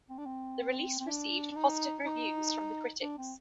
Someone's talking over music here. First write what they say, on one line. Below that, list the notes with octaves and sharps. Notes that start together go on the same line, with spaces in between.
The release received positive reviews from the critics.
C4
D4
C4
C4
D4
D4
D#4
D#4
D4
C4